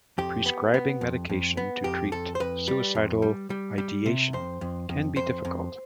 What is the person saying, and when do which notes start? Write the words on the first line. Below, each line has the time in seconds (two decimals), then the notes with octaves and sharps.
Prescribing medication to treat suicidal ideation can be difficult.
0.18 F2 G4
0.46 B3
0.74 B3
1.01 F2
1.30 F2
1.57 B3
1.84 F2 G4
2.12 F2 A4
2.35 C5
2.40 F2 B4
2.68 G3
2.95 F2
3.22 G3
3.50 G3
3.78 G3
4.06 C3
4.33 F2 C5
4.61 F2
4.89 F2
5.16 F2 C5
5.45 F2